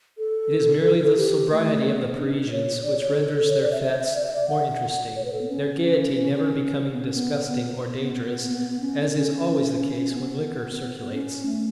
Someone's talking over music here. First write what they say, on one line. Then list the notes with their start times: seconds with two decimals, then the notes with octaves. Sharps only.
It is merely the sobriety of the Parisians which renders their fetes more interesting, their gaiety never becoming disgusting or dangerous, as is always the case when liquor circulates.
0.18 A4
1.17 G4
1.51 A3
1.84 B3
2.17 D4
2.51 C#5
2.83 D5
3.00 C#5
3.16 A4
3.50 C#5
3.61 D5
3.72 E5
3.84 E5
3.99 E5
4.16 D5
4.25 E5
4.33 D5
4.49 F#5
5.16 C#5
5.25 B4
5.33 A4
5.41 B3
5.49 C#4
6.93 B3
7.04 C#4
7.15 B3
7.98 B3
8.14 B3
8.47 B3
8.58 B3
8.70 B3
8.80 C#4
9.14 C#4
10.13 B3
11.14 C#4
11.46 A3